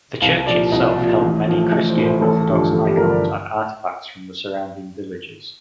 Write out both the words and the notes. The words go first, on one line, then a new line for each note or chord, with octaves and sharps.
The church itself held many Christian Orthodox icons and artifacts from the surrounding villages.
C2 F5
A#2 F3 D5
C2 D#5
A#2 F3
A1
A2 F3
A1 D#5
C5
A2 F3
C5
A1 A4
G2 D3 F3 G4
A1 A4
G4
G2 D3 F3 A#4
D5